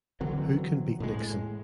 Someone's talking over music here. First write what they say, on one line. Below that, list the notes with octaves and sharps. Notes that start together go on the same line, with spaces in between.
Who Can Beat Nixon?
D3 E3 F#3 C4
A2 G#3